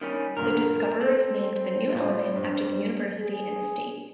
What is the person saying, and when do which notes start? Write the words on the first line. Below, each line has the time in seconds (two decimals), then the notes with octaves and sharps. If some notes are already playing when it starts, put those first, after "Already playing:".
The discoverers named the new element after the university and the state.
0.01 D#3 G3 C#4
0.37 G2 A#2 D3 A#4
1.01 C4 A4
1.91 A2 F4
2.36 G2
3.20 G#4